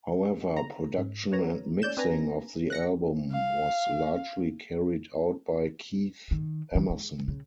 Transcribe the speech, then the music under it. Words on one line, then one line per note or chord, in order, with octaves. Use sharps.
However, production and mixing of the album was largely carried out by Keith Emerson.
A#5
G#2
B4 C#5 A#5
C#4 D5 G6 E7
C4 D4 B4 G#5 A#5 A#6
F#6 A#6 C#7
F5
D#3
E3
G#3
C#3